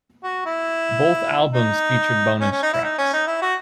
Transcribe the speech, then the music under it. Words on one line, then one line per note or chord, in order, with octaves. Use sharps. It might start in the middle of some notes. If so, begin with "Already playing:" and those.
Both albums featured bonus tracks.
F#4
E4
D#4
C#4
C#4
D#4
E4
D#4
C#4
D#4
E4
F#4